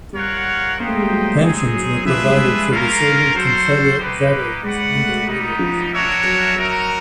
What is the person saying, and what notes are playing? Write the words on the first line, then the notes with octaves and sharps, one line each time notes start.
Pensions were provided for disabled Confederate veterans and their widows.
G3 F4 A#4 C#5 F#5
A#3 D#4 G4 C5 D#5 G5
A3
G#3
G3
F#3
G#3 C4 D#4 G#4
F#3
F3 D4 F4 G#4 B4 E5
G#3
G3
A#3 C#4 F4 A#4
F#3 F#4 A4 C5
A#3 D#4 G4 B4
G#3 F#4 B4 D5 F#5
A3
G3 B3 D#4
F3
D4 F#4 A#4 C#5 E5
F#3
F#3 D#4 F#4 A#4